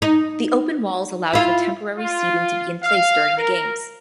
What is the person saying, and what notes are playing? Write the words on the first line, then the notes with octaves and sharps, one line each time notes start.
The open walls allowed for temporary seating to be in place during the games.
D#4
E4 F4 F5
F4
F5
A#4